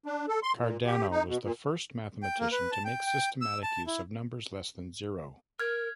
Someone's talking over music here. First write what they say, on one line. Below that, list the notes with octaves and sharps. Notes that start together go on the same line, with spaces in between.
Cardano was the first mathematician to make systematic use of numbers less than zero.
D4
A4
C6
A#2
G4
D#4
B2
A#2
G5
A#3
B4
A5
G5
G5
E6
A5
E4
A#4 F6 G#6